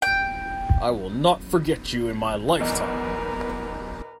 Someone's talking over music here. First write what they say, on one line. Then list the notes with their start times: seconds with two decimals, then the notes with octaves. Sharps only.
I will not forget you in my lifetime!
0.02 G5
2.60 B1 E2 A#4 B4 D#5